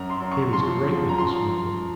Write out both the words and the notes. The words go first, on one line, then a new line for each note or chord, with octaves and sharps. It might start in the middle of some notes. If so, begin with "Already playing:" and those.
Here is great news from England.
Already playing: F#2 A#5
C6
F#2
C#6
F3 C6
F3
A#5
F3 C6